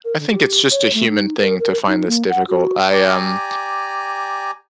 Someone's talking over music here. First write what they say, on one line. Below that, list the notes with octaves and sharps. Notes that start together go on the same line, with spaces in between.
I think it's just a human thing to find this difficult, I, um,
A#4
D3
G4
C#5
A3
D#4
A#4
A#4
D#4
A#3
F#5
F#4
G4 D5 G#5 A#5